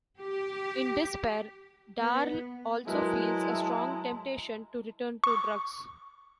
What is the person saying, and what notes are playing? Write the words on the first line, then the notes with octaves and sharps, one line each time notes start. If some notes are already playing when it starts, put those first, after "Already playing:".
In despair, Daryl also feels a strong temptation to return to drugs.
G4
B3
F#3 G#3 E4 A#4 B4 A5 A#5 C6
C#6